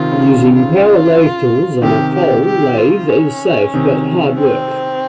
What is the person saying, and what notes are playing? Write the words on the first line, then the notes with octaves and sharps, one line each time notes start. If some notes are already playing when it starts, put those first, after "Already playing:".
Using power lathe tools on a pole lathe is safe, but hard work.
Already playing: C3 D#3 F4
C#3
C#3
F4
C3 D#3 G4
G4
G4
F4
C#4
C3 D#3
C4